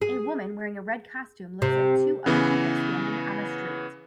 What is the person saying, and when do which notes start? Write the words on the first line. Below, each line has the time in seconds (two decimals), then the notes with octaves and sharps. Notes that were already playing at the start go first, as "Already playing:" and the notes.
A woman wearing a red costume looks at two other people standing on a street.
0.01 G#4
1.62 C3
2.26 C#3 E3 B3